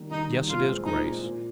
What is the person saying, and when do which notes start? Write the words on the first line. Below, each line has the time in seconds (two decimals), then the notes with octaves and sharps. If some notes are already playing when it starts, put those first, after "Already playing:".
Yes, it is, Grace.
Already playing: D#3 G3 A#3
0.11 D#3 D#4
0.31 G3 A#3
0.48 A#2 F4
0.68 G#3 C4
0.86 A#2 D#4
1.04 G#3 C4
1.23 A#2